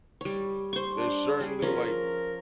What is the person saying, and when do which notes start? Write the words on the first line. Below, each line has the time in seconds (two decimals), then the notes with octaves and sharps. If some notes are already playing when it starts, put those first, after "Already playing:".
there's certainly, like,
0.21 G3 C#5
0.73 C5 C#6
0.97 D4
1.40 G3 G#4
1.62 F3 C#4 A#4